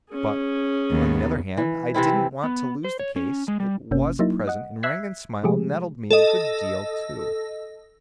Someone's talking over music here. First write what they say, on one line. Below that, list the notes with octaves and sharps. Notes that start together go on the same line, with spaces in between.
But, on the other hand, I didn't want to lose the case--it was a present--and Rangon's smile nettled me a good deal, too.
C#4 G#4
D#2 B3
E3
C3 E3 C4 E4
B3
C5
C#5
C#4
G#3
G3
G1 C3 A#3 C#4
F#3 A#3 D#4 E4
D#5 F#5
E5 E6 F#6 G#6 B6 C7
C3 F3 G#3 A3 G4 G#4
A4 D#5